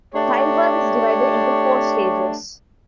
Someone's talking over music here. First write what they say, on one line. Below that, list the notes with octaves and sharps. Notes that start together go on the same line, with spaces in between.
Childbirth is divided into four stages.
A3 D4 G4 C#5